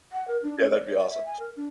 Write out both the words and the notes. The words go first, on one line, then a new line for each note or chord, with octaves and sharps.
yeah that'd be awesome.
F#5
A#4
D4
C#4
D5
C#5
D5
E5
G#5
A#4
D4